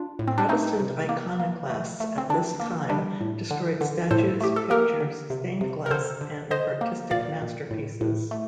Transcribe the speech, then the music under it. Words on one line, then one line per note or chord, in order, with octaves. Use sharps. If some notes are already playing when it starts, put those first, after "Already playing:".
Protestant iconoclasts at this time destroyed statues, pictures, stained glass, and artistic masterpieces.
Already playing: D4 F4
A2
C4
D4
A3 C4 D#4
C3
A#3
A#3
A3
A3
C4
D3 D4
A#3
G3 D4
A2
D3
D3
A2 A4 C5
A3 G4
A4
A#3 G4 A#4
D3
C3
C3
A#4
D3 A4 C5
D3
D3 C5 D#5
A#3
A#2 D5 F5
A#2
A2
A2
A3